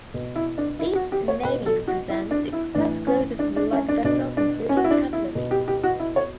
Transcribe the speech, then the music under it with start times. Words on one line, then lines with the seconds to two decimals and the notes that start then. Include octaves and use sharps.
These nevi represent excess growth of blood vessels, including capillaries.
0.14 B2
0.35 E4
0.58 D4
0.79 E4
0.95 F#4
1.12 G4
1.28 C#5
1.44 B2 B4
1.66 A4
1.87 F#4
2.10 E4
2.31 D4
2.53 E4
2.75 A2 E3 D4
3.07 C#4
3.39 D4
3.56 D4
3.72 C#4
3.89 D4
4.04 B2 D4
4.37 D4
4.69 C#4
4.77 F#4
4.84 E4
4.91 D4
5.13 E4
5.35 B2
5.51 G4
5.68 G4
5.83 F#4
5.99 E4
6.16 C#5